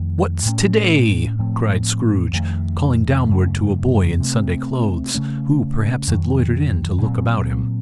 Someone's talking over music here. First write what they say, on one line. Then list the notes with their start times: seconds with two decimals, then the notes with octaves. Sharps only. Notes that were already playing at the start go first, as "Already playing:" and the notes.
"What's to-day!" cried Scrooge, calling downward to a boy in Sunday clothes, who perhaps had loitered in to look about him.
Already playing: F2 D#3 A3
0.45 A2 A3 C#4
1.39 A2 F3 A3 C4
2.33 F2 D#3 A3
3.26 F#2 C#3 A3
4.20 C3 F3 A3 C4
5.14 C#3 A3 C#4
6.07 F2 D#3 F#3
7.02 A#2 F#3 C4